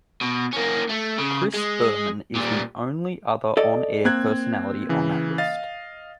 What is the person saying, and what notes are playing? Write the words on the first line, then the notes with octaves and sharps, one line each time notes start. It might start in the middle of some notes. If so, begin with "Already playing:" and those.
Chris Berman is the only other on-air personality on that list.
B2
A#3 C#4
A3
C#3
G#3
A#2 G3
A4 D5 D#5
A#3 C4 F#6 G#6
C#3 E3
D#5 F5 A6